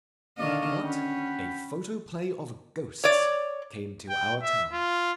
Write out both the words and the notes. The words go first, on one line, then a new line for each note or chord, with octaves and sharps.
But a photoplay of Ghosts came to our town.
D3 D#3 D5 D#5 F5 C#6
C#4 F#4 G5 B5
C#5 D5
G5
E5
F4